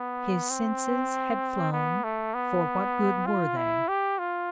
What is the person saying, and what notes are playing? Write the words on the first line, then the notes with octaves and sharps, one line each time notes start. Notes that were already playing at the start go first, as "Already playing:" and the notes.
His senses had flown, for what good were they!
Already playing: B3
C4
B3
A3
B3
F4
E4
G4
F4